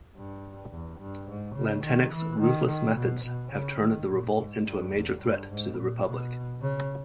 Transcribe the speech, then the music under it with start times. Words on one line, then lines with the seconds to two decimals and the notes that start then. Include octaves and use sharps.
Lantenac's ruthless methods have turned the revolt into a major threat to the Republic.
0.16 G2
0.72 E2
1.00 G2
1.28 G#2
1.56 C#3
1.84 D#3
2.13 E3
2.40 D#3
2.68 D#3
2.97 B2
3.25 B2
3.52 C#3
3.80 D#3
4.08 A#2
4.36 G#2
4.65 G2
4.93 E2
5.22 G2
5.50 G#2
5.78 A#2
6.05 B2
6.62 C#3